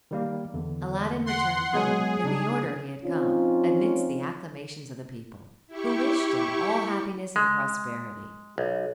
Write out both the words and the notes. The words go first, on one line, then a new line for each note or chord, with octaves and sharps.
Aladdin returned home in the order he had come, amidst the acclamations of the people, who wished him all happiness and prosperity.
D#3 G3 A#3
E2 D3
F#5 C6
F#3 G#3 B3 G#4
C#3 D4 D#4
F3 C4 C#4 D#4 F4
E4 G4 C#6
G#3
B1